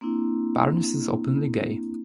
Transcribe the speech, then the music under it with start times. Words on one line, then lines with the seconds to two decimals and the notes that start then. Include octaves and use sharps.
Barnes is openly gay.
0.01 A#3 C4 D4 E4